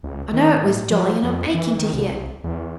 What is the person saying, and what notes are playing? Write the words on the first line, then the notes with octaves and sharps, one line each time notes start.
I know it was jolly, and I'm aching to hear.'
C#2
D#3
A2
F3
F2
E3
D#3
C2
E2